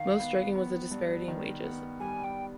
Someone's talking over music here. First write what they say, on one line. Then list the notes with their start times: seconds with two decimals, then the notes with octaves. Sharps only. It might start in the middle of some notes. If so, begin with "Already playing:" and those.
Most striking was the disparity in wages.
Already playing: D#3 F5
0.20 B3
0.55 B3
0.92 G2
1.28 D#3
1.64 B3
2.00 G3 G#5
2.24 G5